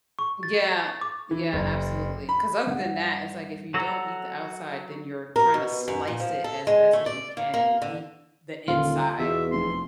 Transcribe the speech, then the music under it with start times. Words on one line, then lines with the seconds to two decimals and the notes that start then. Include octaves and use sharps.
Yeah, yeah, absolutely. 'Cause other than that, it's like if you don't eat the outside, then you're trying to slice it as best as you can and eat the inside, uh,
0.19 C#6
0.43 A6
1.01 D6
1.31 E3
1.53 F#1
2.29 B5
2.67 G2 F#5
3.74 F#3 F#4 A4 A#5
5.36 A#4
5.54 B2
5.88 F#2
6.07 A#2
6.20 F3
6.44 A4
6.67 G#3
6.93 A3
7.06 D5
7.37 A#3
7.54 A#3
7.82 D3
8.68 D#1 D3 F4
9.19 E2 B2 E5
9.52 F1 C6